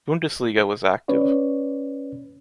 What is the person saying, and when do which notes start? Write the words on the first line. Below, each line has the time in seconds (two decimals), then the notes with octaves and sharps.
Bundesliga was active.
1.08 C#4 B4 C#5 D5